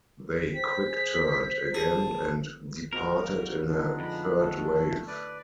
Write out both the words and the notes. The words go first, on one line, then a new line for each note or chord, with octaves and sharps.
They "quick-turned" again and departed in a third wave.
C5 G5 B6
G#4
G#4 A5
F3 G#3 C4 F#4 A#4
G#2 G3 F5
D3 G#3 B3 D4 D#4 F4
F2 B5
A3
B4 D5